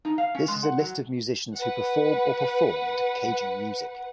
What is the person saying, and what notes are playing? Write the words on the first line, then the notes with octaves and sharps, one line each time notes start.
This is a list of musicians who perform or performed Cajun music.
D#4
F5
C#4
G#3
F#5
F#3
B4 F#5